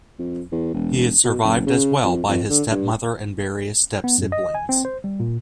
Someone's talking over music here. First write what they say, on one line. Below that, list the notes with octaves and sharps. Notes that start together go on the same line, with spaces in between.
He is survived as well by his stepmother and various stepsiblings.
F2
E2
E1
B2
F#1
C#3
F2
F2
D3
G2
B3
F#2
D#5
G#5
C4
C5
G3
A#2